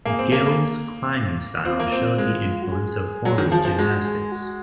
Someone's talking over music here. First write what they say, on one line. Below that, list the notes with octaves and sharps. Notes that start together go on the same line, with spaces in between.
Gill's climbing style showed the influence of formal gymnastics.
A#3 G#4
C4
A#3
A#3
C4 F4
A#3
C4
G#3
F#4
G#4
F#3
D#3
F3
F3
G#3 F#4
G#4
F#4